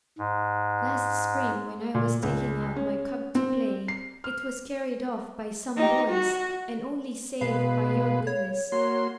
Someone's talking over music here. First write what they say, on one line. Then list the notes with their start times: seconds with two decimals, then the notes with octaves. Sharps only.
Last spring, when I was taking out my cub to play, it was carried off by some boys, and only saved by your goodness.
0.18 G#2
1.95 A#2
2.23 C#2
2.76 C#4
3.35 C4
3.88 C7
4.24 F6
5.76 D#4 G4
6.08 F#4
7.41 B2 G#3 B4 F5
8.27 C#5
8.72 A#3 F#4 C6